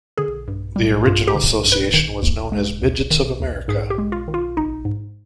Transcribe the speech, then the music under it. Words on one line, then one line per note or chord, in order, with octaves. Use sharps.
The original association was known as Midgets of America.
D3 G#4
G2
G3
G2 F4
G4
D3
G2
B4
D#3
D#2
G#3
D#2
D#3
D#2
G#2 G#4
G4
G#3
F4
D#3
F4
G#1 D#4
G#2